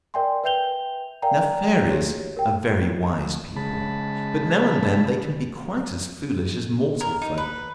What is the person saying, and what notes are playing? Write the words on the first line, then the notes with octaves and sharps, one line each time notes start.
Now fairies are very wise people, but now and then they can be quite as foolish as mortal folk.
A#4 D5 E5 G5 G#5 C6
B4 E5 G5 G6 F7 G7
A#4 D5 F5 G5 G#5 A#5
G4 G#4 C#5
A#4 G5
C#3 G#3 A5 B5
A#4
D#4
B4